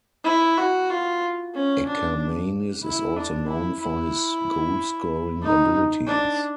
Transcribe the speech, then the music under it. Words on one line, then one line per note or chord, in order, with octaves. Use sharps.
Akermanis is also known for his goalscoring abilities.
E4
F#4
F4
C#4
D4
E4
D4
E4
E4
D#4
D4